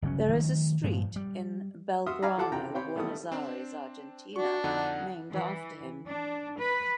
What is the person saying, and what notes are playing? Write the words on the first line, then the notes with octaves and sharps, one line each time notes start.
There is a street in Belgrano, Buenos Aires, Argentina, named after him.
G1 C#3 F#3 C#4
D#3 F3 F#3 A3
G2 A#2 F3 G#3
G3
F#4 E5 C6 D#6 F6
D5 F5 G#5 A#5 B5
F3 F4 A4 F#5 A5 D6
C3 E3 G5 A#5
C4 G4 C5 C#5 G5 B5
D#3 G3 A3 B3 E4 D#6
C4 D4
D4 F#4 C#6
F2 D3 D#4 F#5
E3
D4
B4